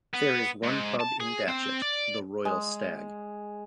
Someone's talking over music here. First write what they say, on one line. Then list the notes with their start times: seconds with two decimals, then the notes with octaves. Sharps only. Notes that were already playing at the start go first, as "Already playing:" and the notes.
There is one pub in Datchet, The Royal Stag.
0.14 B3
0.63 G#2
1.00 A5
1.20 G#4
1.49 C4
1.82 D5
2.45 G#3